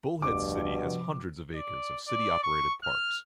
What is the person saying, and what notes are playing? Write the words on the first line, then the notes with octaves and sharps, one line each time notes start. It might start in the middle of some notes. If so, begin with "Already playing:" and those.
Bullhead City has hundreds of acres of city-operated parks.
F1 D2 G2 B2 D6
C3 F3
D5
D5
C#6
F6